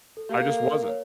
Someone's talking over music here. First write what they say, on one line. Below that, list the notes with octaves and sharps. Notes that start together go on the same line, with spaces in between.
I just wasn't.
A4
A#3 G4
A4
A4
A#4
A#4
C#5